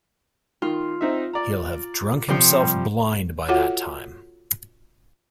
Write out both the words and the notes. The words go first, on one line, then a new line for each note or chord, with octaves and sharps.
He'll have drunk himself blind by that time.
D#3 F4
C4 D#4 E5
D5 A#5
C3 F3 C5 G5 D6
G3
F4 F#4 A4 C#5 E5 F#5